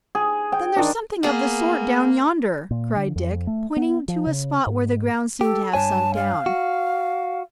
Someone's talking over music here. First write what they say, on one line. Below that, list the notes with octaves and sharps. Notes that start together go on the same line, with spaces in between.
"Then there's something of the sort down yonder," cried Dick, pointing to a spot where the ground seemed to have sunk down.
G#4
G5
D#3 D4
A#3 B3 G#4
A#2
D3
F2
A3
B3
F3
C#3
G#2
G4 A4
G2 C#5 G#5 A5
F5
F#4